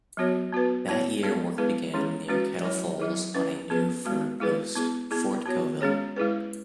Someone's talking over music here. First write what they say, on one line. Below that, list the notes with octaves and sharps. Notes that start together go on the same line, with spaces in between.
That year work began near Kettle Falls on a new fur post, Fort Colvile.
F#3 B3 F#4 C#5
B3 F#4 B4
B3 E4 C#5
G#3 B3 G#4
G#3 B3 E4 G#4 B4
E3 G#3 C#4 E4 G#4
G#3 C#4 F#4 B4
F#3 E4 C#5
F#3 E4 G#4
C#4 E4 B4
B3 G#4 B4
G#3 B3 F#4
G#3 E4 G#4 B4
B3 E4 G#4
B3 E4 G#4
B3 F#4 C#5
G#3 C#4 G#4 C#5
G#3 E4 G#4 B4